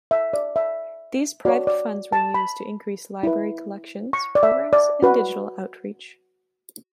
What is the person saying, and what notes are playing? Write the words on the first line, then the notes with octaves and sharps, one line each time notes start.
These private funds were used to increase Library collections, programs, and digital outreach.
E5
D5
E5
F#4 C#5 D5
D5
A5
B5
E4 B4
C#6
D5
E5
D5
F#4 B4